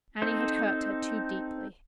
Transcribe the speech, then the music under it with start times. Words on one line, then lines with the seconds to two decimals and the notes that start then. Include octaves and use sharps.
Annie had hurt her too deeply.
0.22 C4 D#4 A4 C5